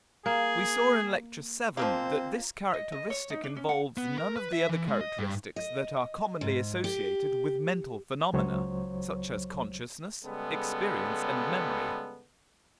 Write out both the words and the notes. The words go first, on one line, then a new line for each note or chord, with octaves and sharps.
We saw in Lecture VII that this characteristic involves none of the other characteristics that are commonly associated with mental phenomena, such as consciousness, experience and memory.
A#3 G#4
F3 G#3 A#3 C4 C5
D#5
D#5
C#5
D#4
D4
C#4
F#5
B3
A#4
B4
E5
E3
G#3
D#5
G2
D#5
G#2
G4
C#2 F#3 C5 C#5
C#3 G3 G#3 B3 A4